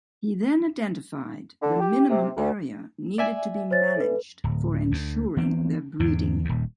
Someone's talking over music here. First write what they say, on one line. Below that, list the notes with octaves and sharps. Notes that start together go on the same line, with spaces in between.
He then identified the minimum area needed to be managed for ensuring their breeding.
D3
G4
C3
D2
D5 E5 G#5
C5 C#5 A6
A4 B4
D1
D2
E3 B3 C4
E2 G#2 D3
D#1 D#2